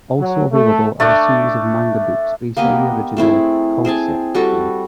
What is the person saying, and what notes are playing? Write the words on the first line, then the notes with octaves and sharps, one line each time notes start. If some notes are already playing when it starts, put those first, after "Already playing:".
Also available are a series of manga books based on the original "Culdcept" game.
F#3
A3
A3 D4 D5
A#3 B3 G4 D#5
A3 C4 E4 G#4
C4 G#4 G#5 A5
G3 F#4 A4